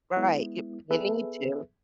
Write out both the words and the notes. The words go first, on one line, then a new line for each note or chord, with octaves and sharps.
Right, you you need to,
G#3 B3 E4
B3 G#4 A4 B4 E5